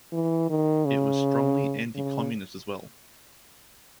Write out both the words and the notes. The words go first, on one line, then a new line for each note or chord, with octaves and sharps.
It was strongly anti-communist as well.
E3
D#3
C#3
C#3